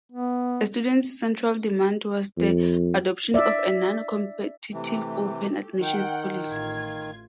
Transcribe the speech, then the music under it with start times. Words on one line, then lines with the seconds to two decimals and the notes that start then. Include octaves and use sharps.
The students' central demand was the adoption of a non-competitive open admissions policy.
0.12 B3
2.37 F2
3.34 D5 E5
4.73 C3 E3 A3 G4
5.79 D#3 F#5 G5
6.49 A1 F4 G#6